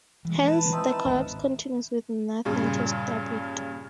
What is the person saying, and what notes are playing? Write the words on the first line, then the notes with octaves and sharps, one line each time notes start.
Hence, the collapse continues with nothing to stop it.
E3 G#3
B4 A5
C4 D#4 E4
G#1 C#4
G2 A#2 C#3